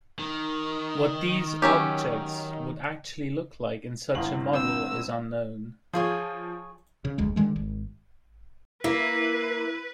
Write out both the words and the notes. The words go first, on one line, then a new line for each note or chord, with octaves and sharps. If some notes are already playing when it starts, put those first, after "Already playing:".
What these objects would actually look like in such a model is unknown.
D#3
F#3 C#4 G4
G1 D4 E4 F5 F#7
C4 B4 E6 G6
F3 F4 G#4 C#5
C#3
F1 D2 G#3
D3 D#3 G#3 A3
G#1
A#3 E4 B4